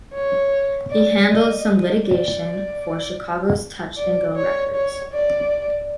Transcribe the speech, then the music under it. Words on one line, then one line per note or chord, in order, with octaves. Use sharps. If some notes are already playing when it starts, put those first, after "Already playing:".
He handled some litigation for Chicago's Touch and Go Records.
C#5
D5
D#5
D5
D5
C#5
C#5
D5